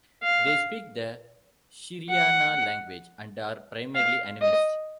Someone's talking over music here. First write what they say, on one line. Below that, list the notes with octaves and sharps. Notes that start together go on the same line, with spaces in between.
They speak the Shiriana language, and are primarily animists.
F5
F#5
F5
D#5